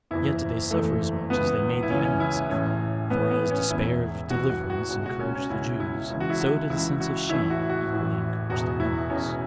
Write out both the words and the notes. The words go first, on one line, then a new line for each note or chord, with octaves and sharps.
Yet did they suffer as much as they made the enemy suffer; for as despair of deliverance encouraged the Jews, so did a sense of shame equally encourage the Romans.
F#1 E2 E3 E4
F#1 E2 E3 A3
C#2 C#3 E3 B3
E4
C#2 C#3 E3 C#4
C#4
E4
A1 A2 E3 C#4
A1 A2 E3 B3
B3
C#4
E1 E2 E3 E4
E1 E2 E3 F#4
F#4
F#4
C#2 B2 F#4
F#4
C#4
C#4
C#2 B2 E4
E4
C#2 C#3 E3
F#4
E4
F#4
C#2 C#3 E3 E4
F#4
A1 A2 E3 E4
F#4
F#4
A1 A2 E3
E1 E2 B2 F#4
E4
E1 E2 B2 C#4